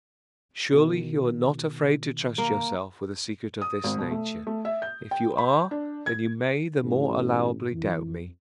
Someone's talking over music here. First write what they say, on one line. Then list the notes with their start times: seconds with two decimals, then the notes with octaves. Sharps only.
Surely, you are not afraid to trust yourself with a secret of this nature: if you are, then you may the more allowably doubt me.
0.73 B2 D#3
2.38 A#3
3.61 D#6
3.84 G#1
3.98 B2
4.11 A3
4.47 A3
4.65 E5
4.82 G6
5.11 G5
5.38 B5
5.71 D4
6.06 G#6
6.84 A1 G#2
7.72 F2 E3